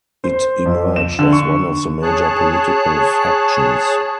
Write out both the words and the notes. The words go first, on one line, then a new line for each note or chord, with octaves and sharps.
It emerged as one of the major political factions.
C5
F2
E7
D3
C#6
G#4 C#5 A5 F#6